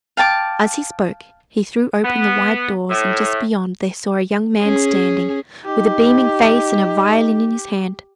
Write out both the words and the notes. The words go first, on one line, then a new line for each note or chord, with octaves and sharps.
As he spoke he threw open the wide doors, and just beyond they saw a young man standing, with a beaming face, and a violin in his hand.
F5 G5 A5 D6
B3
A2
C#4 G#4
D#4 G4